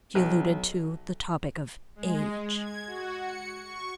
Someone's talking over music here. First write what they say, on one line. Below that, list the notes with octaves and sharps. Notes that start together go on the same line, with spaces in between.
She alluded to the topic of age.
B1
G#3
G#6
F#4
C#7
C#6